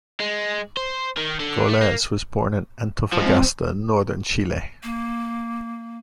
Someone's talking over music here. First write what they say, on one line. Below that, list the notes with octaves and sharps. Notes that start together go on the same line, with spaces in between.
Goles was born in Antofagasta, northern Chile.
G#3
C5
D#3
D3
A3
A#3
G#2 F3
C4
A#3